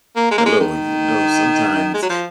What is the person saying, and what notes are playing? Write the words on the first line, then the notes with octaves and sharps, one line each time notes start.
Hello, you know, sometimes,
A#3
G#3
A#3
G#3
D#3
G#3
F#3
F3